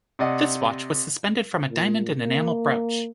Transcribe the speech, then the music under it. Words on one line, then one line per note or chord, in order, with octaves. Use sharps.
This watch was suspended from a diamond and enamel brooch.
C3 D5 D#5 F#5 D#6
A#2
A#3